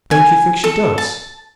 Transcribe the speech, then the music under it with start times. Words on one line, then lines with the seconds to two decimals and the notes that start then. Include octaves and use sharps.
"Don't you think she does?"
0.11 G#5
0.64 A4
0.98 A5